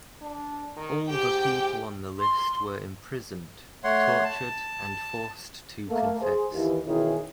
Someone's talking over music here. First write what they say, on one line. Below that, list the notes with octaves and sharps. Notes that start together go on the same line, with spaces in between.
All the people on the list were imprisoned, tortured and forced to confess.
D4
D#3
G#2 G4 G5
C6
A3 C#5 F#5 C6
A5
A3 A#3
G#4 C5
D#2 E3
B2 D#3 E3 C#4 E4 G#4